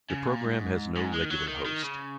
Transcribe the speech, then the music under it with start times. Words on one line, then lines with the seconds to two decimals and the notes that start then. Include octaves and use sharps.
The program has no regular host.
0.10 C#3
0.27 A#2
0.45 G#2
0.96 G#2
1.14 G#3
1.25 D#3
1.30 F#3
1.48 D#3
1.66 D#3
1.83 C#3